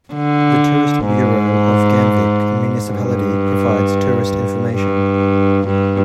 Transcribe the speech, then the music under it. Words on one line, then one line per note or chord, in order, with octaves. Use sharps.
The tourist bureau of Gamvik municipality provides tourist information.
D3
G#2
G2
G2
G2